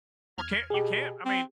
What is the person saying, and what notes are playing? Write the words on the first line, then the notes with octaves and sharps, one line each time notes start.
Well, can't you can't, I mean,
E2 F6 G#6
B2 G4 G#4
C4